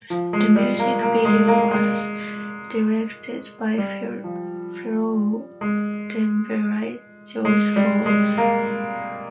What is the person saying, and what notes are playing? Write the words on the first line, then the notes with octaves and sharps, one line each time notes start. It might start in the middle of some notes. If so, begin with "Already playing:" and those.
The music video was directed by fellow Denverite Josh Forbes.
F3
G#3
G3
A#3
A#3
G#3
A#3
G#3
G3
F3
G#3
G#3
G3
G#3
A#3